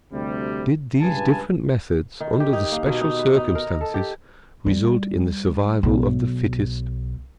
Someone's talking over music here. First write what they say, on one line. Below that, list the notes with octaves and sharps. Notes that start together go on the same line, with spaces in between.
Did these different methods under the special circumstances result in the survival of the fittest?
D2 C3 G3
C#2 G2 B4 G#5 A5
D#3
G4
D#4
A#3
B2
D#4
B4
D#4
A#4
A4
G4
G3
B1